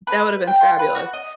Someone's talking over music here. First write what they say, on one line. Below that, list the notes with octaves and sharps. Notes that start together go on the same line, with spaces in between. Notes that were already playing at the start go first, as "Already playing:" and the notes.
That would have been fabulous.
B4
G5
F4
B4
F#4
D#5